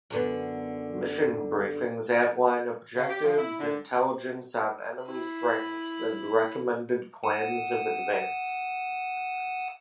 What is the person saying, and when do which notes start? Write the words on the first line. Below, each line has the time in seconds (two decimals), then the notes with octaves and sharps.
Mission briefings outline objectives, intelligence on enemy strengths and recommended plans of advance.
0.10 F#2 D3 B3
2.95 C#3
3.08 G4
3.24 F3
3.37 E4
3.58 D3
5.03 E4 B5
7.24 F#5 D#6 E6